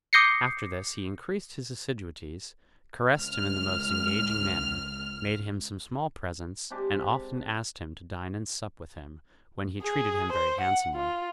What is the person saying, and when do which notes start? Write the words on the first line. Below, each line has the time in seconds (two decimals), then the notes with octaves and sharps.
After this he increased his assiduities, caressed him in the most engaging manner, made him some small presents, and often asked him to dine and sup with him, when he treated him very handsomely.
0.13 D6 D#6 G6 A#6 C7 C#7
3.18 C#2 F6
6.70 C3 G#3 D4 G4
9.83 G#4
10.32 C5
10.61 F#5
10.95 F4